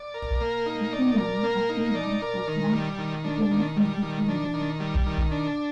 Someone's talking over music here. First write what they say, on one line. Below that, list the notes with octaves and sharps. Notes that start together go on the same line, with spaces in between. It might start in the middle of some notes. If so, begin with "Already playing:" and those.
The Kingdom of England was once again independent.
Already playing: D5
A#4
A#3
D#4
D5
A#4
A#3
D#4
D5
A#4
D#3
G3
D#3
D4
D#3
G3
D#3
D4
D#3
G3
D#3
D4